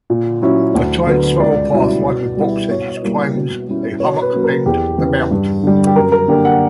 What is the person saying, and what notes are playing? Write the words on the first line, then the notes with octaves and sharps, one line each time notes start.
A tight spiral path lined with box hedges climbs a hummock named "The Mount".
A#2
F#3 C#4 E4
D2
D3 F#3 B3
C#2 D5
B2 G3 C#4 E4
B2
G3 B3 E4
B2 C#5
G3 A#3 E4
B2
G3 C#4 E4
B2 C#5
B4
F#3 A#3 C#4
A#4
E2 G4
C#3 E3 B3
G2
D3 G3
G4
F#2 A#4
A#4
D3 A#3 D4 G4
F#5